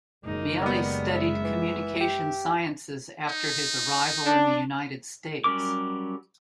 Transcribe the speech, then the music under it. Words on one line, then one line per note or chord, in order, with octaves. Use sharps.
Meili studied communication sciences after his arrival in the United States.
F#1 G#3 A#3 D#4
D#3 G3 B3
E5
E3
G4
D#4
D4
F#3 G3 C#4 A#4 D6